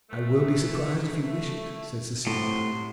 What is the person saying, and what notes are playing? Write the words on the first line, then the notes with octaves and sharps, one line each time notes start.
"I will be surprised if you wish it," said Cecilia.
G#2 E3 A3
A3
A2 C3 F#3 C6